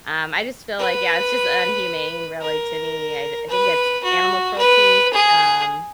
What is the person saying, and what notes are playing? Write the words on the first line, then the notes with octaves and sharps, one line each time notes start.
Um, I just feel like yeah, it's just inhumane, really, to me, I d I think it's animal cruelty, um
B4
A#4
B4
F#4
B4
G#4